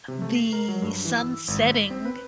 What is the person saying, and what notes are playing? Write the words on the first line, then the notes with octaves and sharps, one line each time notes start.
the sun setting
C3
A3
C7
A#4
F#3
G2
E3
E6
G#1
B6
C4
B4